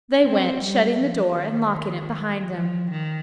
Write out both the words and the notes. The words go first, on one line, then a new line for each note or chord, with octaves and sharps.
They went, shutting the door, and locking it behind them.
C4
G3
F3
D#3
F3
D#3